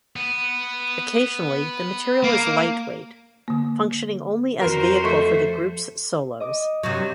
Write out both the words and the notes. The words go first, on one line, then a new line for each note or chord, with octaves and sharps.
Occasionally, the material is lightweight, functioning only as vehicle for the group's solos.
B3
A#3
D3 A#3
F2 F#4 A#4 C5
F3 A3 A4 C#6
D#5 D6
G2 C3 F#3